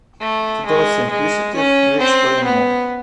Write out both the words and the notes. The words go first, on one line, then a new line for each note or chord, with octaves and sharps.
To those inquisitive, we explain more.
A3
G#3
G#3
C#4
C4
B3